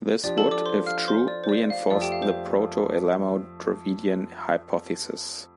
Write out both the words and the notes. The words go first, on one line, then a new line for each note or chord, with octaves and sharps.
This would, if true, reinforce the proto-Elamo-Dravidian hypothesis.
F3 D4 G4 D5
A4 A5
D5 D6
C5 C6
F5 F6
C5 C6
D5
C5
D5
F5
F2 F3 A3 D5
G4 G5
F5
C5